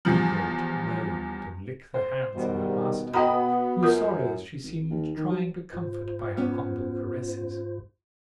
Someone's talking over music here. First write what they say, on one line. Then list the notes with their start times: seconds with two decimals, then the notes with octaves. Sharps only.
The she-goat moaned and licked the hands of her master, whose sorrows she seemed trying to comfort by her humble caresses.
0.05 E2 G2 F3
1.94 C5
2.35 G#2 B2 D#3 G3
3.14 B3 F#4 D#5 G5 A#5 B5 D#6
3.83 F#2 F4 A#4
4.63 G#1
4.90 D#2
5.16 D#3
5.31 F#3
5.73 G#2 F4 C5
6.37 B3 C#4